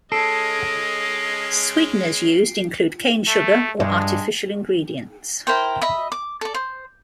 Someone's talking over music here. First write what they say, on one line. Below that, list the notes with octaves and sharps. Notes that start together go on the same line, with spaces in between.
Sweeteners used include cane sugar or artificial ingredients.
G#3 C#4 A4 D#5 C7 D7
A3
G2 G#3
E4 A#4 C5 G5
D#5 E5 B5
D6
A4 D5
C5